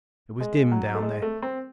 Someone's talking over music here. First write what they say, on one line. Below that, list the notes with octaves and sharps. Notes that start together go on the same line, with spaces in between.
It was dim down there.
G#3
G#3
F#3
F#3
A3
G#3
A3
C4